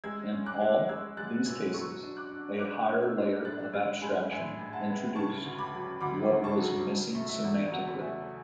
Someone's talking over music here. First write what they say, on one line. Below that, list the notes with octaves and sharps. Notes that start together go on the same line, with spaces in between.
In all these cases, a higher layer of abstraction introduced what was missing semantically.
G#3 E6 G#6
C#4
D6 F#6
G#3
G#3 E6 G#6
G#3 F#6 A6
B2 E6 G#6
F#3 C#6 E6
D4
D6 F#6
D4
D4 D6 F#6
B3
E6 G#6
D4
A2 F#6 A6
G#3 E6 G#6
G#3 G#5 B5
A2 E5 G#5
A2
F#5 A5
B3
C#3 A5 C#6
D2
B5 D6
F#3
D2 B5 D6
C#3
A5 C#6
F#3
C#3
A3
E5
E2
F#3 F#5
A3 E5 G#5